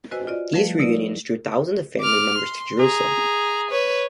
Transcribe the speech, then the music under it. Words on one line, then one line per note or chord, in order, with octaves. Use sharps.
These reunions drew thousands of family members to Jerusalem.
F#4 B4 C5 D#5 G#5 E6
F4 D5 D#5
F3 G3 A3 B4
D#4 E4 A#4 B4 D5
D6 F6
C6
G#4 A#5
B4 C#5